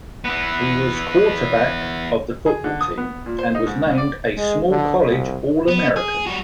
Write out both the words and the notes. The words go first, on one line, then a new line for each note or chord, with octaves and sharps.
He was quarterback of the football team, and was named a small college All-American.
E3 B3
G#4
D3
D#6
B3
A#2
C5
D#4
G#2
C2
D5
G#3
D3
C2
B3
G#4
G3 F#4